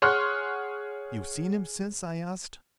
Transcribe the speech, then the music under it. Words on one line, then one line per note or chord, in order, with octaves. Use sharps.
"You've seen him since?" I asked.
G#4 C#5 F#5 C6 F6 F#6